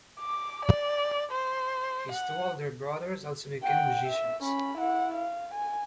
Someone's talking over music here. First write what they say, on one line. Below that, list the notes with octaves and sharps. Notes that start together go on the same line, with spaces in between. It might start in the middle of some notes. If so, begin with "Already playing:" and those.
His two older brothers also became musicians.
D6
D5
C5
F#5
F#5 G5
E5
C#4 B5
E4 F#5
F5
G#5